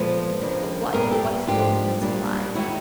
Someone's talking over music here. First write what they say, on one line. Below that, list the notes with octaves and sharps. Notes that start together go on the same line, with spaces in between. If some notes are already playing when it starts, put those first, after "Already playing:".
But what, what if the old man's alive?
Already playing: A#2 F3 G#3 B3 A4 B4
D#2 C#3 F3 A#3 D4
A#2 G3 B3 G#4 A#4
G4 A4
G#2 F3 A#3 D4 F4 G4
A#2 G3 A#3 D4
D#2 D#3 G#3 E4 F#4